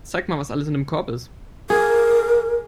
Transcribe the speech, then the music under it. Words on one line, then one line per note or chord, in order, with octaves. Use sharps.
Zeig mal, was alles in dem Korb ist.
G#4 A#4